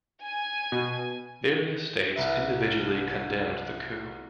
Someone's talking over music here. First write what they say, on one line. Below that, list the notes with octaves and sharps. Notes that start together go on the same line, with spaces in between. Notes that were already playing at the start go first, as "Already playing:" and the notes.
Various states individually condemned the coup.
G#5
B2
C2 B4 E5